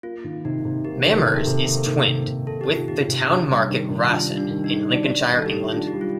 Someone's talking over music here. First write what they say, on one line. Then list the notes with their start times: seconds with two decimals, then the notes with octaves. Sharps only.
Mamers is twinned with the town Market Rasen in Lincolnshire, England.
0.03 A#3 F4
0.24 D#3
0.45 C3 D#4
0.65 C3
0.85 A#3 G4
1.06 D#3 A4
1.12 A#4
1.25 C3
1.34 A4
1.39 A#4
1.47 C3
1.66 A#3 A4
1.86 D#3
2.07 C3
2.27 C3
2.47 A#3 A4
2.61 G4
2.68 D#3
2.74 F4
2.88 C3 G4
3.08 C3
3.29 D4
3.49 G3
3.70 D#3
3.90 D#3
4.10 D4 F4
4.30 G3
4.37 D4
4.50 D#3
4.64 D#4
4.70 D#3
4.91 D4 D5
5.12 G3
5.32 D#3
5.39 A4
5.46 G4
5.52 D#3
5.72 D4 F4
5.87 G4
5.93 G3
6.01 F4